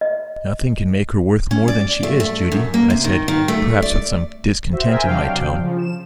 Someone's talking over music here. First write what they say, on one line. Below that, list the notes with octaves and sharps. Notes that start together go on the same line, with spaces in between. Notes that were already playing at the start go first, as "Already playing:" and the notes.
"Nothing can make her worth more than she is, Judy," I said, perhaps with some discontent in my tone.
D#5
C#4
D5
A3
A3
F#2
A#3
C3
D#3
D#3
A3
D5
F#4 C5 E5
G#4 A#4 C5 E5 G5 G#5
C3 F#3 D4 F5 G5
C#3 F3
E7